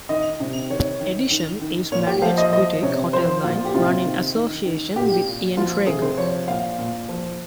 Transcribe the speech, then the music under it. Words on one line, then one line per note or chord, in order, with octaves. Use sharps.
"Edition" is Marriott's boutique hotel line, run in association with Ian Schrager.
D#3 D#5
C3
D#3 C#5
D#3
D#3
D#3
A#2 C#5
G4
F3 F5
D#5
F3 D#5
C3 C#5
F3 C5
A#2 F4
G4
C3 F4
D#3
D#3
D#3
A#2 G4
A#2
F3 F4
C3 G#4
C5
F3 C#5
A#2 F5
A#2
F3